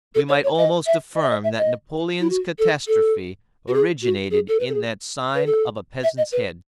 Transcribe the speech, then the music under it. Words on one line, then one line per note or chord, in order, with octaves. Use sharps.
We might almost affirm that Napoleon's catastrophe originated in that sign of a peasant's head.
A4
C#5
C#5
D#5
E5
D#5
E5
D#5
E5
D#5
E4
F#4
A4
A4
F#4
G#4
F#4
G#4
A4
B4
A4
G#4
B4
A4
E5
D#5
B4